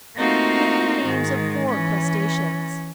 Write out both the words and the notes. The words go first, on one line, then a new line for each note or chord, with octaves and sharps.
Give the names of four crustaceans.
A3 A#3 C4 D#4 F4 F#4
G#2 D#3 G#3
E3 C#4